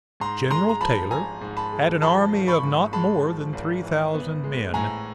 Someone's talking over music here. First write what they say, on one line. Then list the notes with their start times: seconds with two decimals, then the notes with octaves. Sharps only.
General Taylor had an army of not more than three thousand men.
0.20 G#2 A#5 C6
0.51 G#3 A#5 C6
0.69 A#5
0.81 F3 A5 B5
1.11 G#1 G#5 A#5
1.41 G#2
1.57 A5 B5
1.73 G#3
2.02 F3 A5 B5
2.32 G#1
2.48 B5 C#6
2.63 G#2
2.93 G#3 A5 B5
3.23 F3
3.53 G#1
3.83 E3
4.14 B3
4.44 G#3
4.74 A2 G#5 A#5